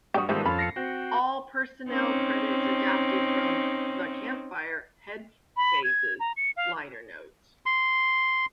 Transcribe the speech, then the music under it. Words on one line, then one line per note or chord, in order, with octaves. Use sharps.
All personnel credits adapted from "The Campfire Headphase"s liner notes.
G2 G3 F#4 G4 D#6
G#2 D#3 F3 G3 B3 D4 D#4 E5
F2 C#4 A4 F5 B5
A#6 C7 C#7
C4 F#4 G5
C4 C#4 D#4
B5
G#6
A#5
C#7
F5
C6